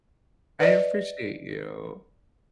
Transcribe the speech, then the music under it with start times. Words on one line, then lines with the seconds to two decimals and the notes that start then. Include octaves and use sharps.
I appreciate you.
0.60 B4 D5 D#5